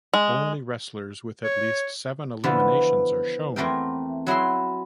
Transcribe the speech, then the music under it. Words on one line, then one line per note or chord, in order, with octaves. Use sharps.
Only wrestlers with at least seven eliminations are shown.
G#3
C#5
D3 E3 F3 B3
E2 A3 C4 A#4 G5
F#3 E4 G#4 C6